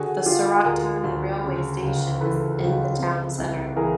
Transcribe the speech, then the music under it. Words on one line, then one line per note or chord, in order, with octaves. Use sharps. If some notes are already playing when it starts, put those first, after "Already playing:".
The Surat Thani Railway Station is in town center.
Already playing: D3 F#4 G#4
D3 F4 G4
D2 G#4 A#4
D2
C#3
C#2
E3 A4 B4
C#2
C3
C2
E3 G#4 A#4